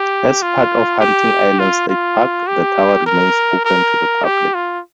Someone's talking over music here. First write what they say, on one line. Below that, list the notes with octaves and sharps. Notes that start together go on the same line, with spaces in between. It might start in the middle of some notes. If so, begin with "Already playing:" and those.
As part of Hunting Island State Park, the tower remains open to the public.
Already playing: G4
F4
G4
F4
F4
G4
A#4
A#4
G4
F4